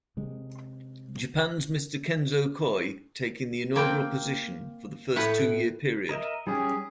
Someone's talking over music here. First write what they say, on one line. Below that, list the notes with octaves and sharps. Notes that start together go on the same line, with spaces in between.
Japan's Mr. Kenzo Koi taking the inaugural position for the first two-year period.
C3 G#3
A#3 C4 G5
A2 B4 F#5
A#4 D#5 E5
G3 C#4 D#4 G4 G#4 C#5 G#5